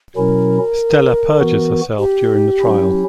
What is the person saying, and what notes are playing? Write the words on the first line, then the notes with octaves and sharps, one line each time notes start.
Stella perjures herself during the trial.
B2 F#3 C#4 E4 A#4
E3 B3 F#4
G4
F#3 C#4 E4